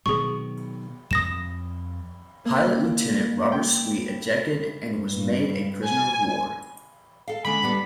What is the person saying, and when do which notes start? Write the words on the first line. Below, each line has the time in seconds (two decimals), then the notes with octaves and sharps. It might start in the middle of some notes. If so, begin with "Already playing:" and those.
Pilot Lieutenant Robert Sweet ejected and was made a Prisoner of War.
0.06 B2 D#3 F#3 G#4 C#6
1.11 F2 D#6 A#6 E7
2.45 A#3
3.52 G5
5.09 G2
5.85 G#5
7.28 A4 F5
7.45 D3 G#3 C#4 B5
7.63 G3 B3 D4